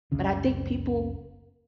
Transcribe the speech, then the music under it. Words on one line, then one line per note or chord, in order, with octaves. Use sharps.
But I think people
F#1 C#2 C#3